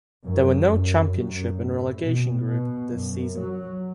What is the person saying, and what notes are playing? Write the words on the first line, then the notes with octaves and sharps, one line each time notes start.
There were no Championship and Relegation group this season.
F#2
F#2
F#2
A2
B2
B2
F#2
F#3